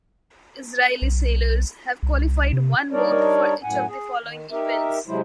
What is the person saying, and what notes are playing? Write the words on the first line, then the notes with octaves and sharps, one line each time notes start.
Israeli sailors have qualified one boat for each of the following events.
B1
C2
C3
G3 D4 D#4 A#4 C#5 D5
F#2 A2 F#5 G#5
G#4
D#3
D#4 G4 A#4 E5
C3 F#3 G#3 E4 C5